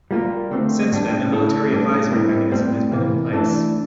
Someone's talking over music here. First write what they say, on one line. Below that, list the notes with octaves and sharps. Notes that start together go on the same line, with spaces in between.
Since then, a Military Advisory Mechanism has been in place.
G3 A#3 F4 A#4
D3 A3 C4
A2 G3 D4 G4
A3 E4 A4
A2 G3 D4
G3 C4 E4 G4 A#4
A2 G3 C4
C3 E3 A#3
E3 A3 D4 A4